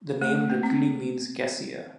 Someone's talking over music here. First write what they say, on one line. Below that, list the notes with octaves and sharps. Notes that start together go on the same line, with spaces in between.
The name literally means "cassia".
A3
A3
A#3
C4